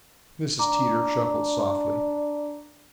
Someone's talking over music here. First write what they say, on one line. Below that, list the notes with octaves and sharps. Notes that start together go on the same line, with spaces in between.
Mrs. Teeter chuckled softly.
D4 A#5 D6